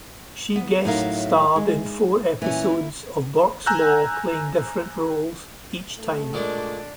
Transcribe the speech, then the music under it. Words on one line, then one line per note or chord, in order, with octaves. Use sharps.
She guest-starred in four episodes of "Burke's Law", playing different roles each time.
B3
A2 F#3 D#4 A#4 E5 F5
G#3
A#2 E3 C#4 E4
G#5 A#5 E6 F#6 G6
A3
A#2 G#3 A#3 D4